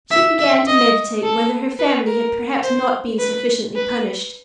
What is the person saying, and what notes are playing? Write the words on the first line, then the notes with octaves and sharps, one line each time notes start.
She began to meditate whether her family had perhaps not been sufficiently punished.
E5
E5
D#5
A4
B4
A#4
C5
B4
B4